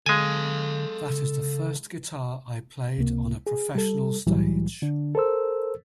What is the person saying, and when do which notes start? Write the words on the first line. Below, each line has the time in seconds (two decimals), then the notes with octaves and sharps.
That is the first guitar I played on a professional stage.
0.06 D3 G#3 A4 F5 G#5
1.10 C#3
2.98 C#2 C3 A#3
3.47 G#4
3.75 G3 A4
4.26 C2 A2 E3 F#3 G3
4.82 D3 D4
5.15 A4 A#4 C5 E6